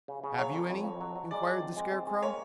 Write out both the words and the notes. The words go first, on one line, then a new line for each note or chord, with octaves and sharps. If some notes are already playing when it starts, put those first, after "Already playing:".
"Have you any?" inquired the Scarecrow.
C#3
C#3
F#3 C#5
F2
F2
F2
F#3
F#3
G#3 D5
F3
C4
G#3
C4
G#3
A#3 C#5